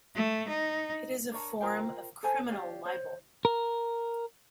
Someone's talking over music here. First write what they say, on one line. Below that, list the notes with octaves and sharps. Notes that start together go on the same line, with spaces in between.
It is a form of criminal libel.
A3
D#4
D4 A#4 C#5 A5
F4 A#4 C5 G5
A4 C5 G#5 A5
G4 C#5 D5 F5
C5 C#5
A#4